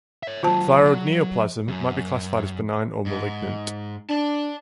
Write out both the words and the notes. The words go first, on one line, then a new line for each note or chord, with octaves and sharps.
Thyroid neoplasm might be classified as benign or malignant.
C#5 E5
D#2 F#3 F4 C5 A5
F#3
F#2
G#2
D4 D5 A5